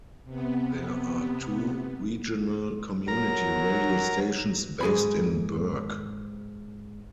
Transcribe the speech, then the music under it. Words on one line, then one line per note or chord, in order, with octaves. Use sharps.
There are two regional community radio stations based in Bourke.
C3 B3
F#3 A#4 A#5
G#2 G#4 B5